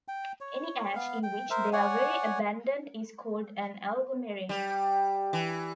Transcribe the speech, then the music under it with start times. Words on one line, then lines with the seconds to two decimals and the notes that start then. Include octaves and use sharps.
Any ash in which they are very abundant is called an agglomerate.
0.08 G5
0.41 C#5
0.95 B3 F5
1.23 G5
1.50 A#4 C5 E5
1.73 C#5 D5 F#5 G#5
4.49 G3
5.33 E3